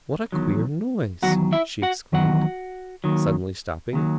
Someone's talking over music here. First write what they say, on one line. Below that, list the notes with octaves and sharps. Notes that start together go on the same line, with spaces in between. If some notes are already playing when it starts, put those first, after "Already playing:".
"What a queer noise!" she exclaimed, suddenly stopping.
E2 D#3 F#3
E2 D#3 F#3 F#4 F#5
E4 E5
F#4 F#5
E2 D#3 F#3 F#4 F#5
D#2 D#3 F#3
D#2 D#3 F#3